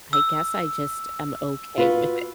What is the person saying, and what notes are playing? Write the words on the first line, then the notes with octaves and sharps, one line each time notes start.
I guess I just am okay with
E6
F4 F#4 B4